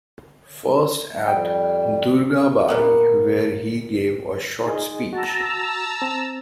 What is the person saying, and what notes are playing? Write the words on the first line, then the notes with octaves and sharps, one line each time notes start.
First at Durgabari, where he gave a short speech.
F2 G3 G5
A#2 A#3 B3
D#4 G#4 D#5
F#4 A5 A#5 E6
C4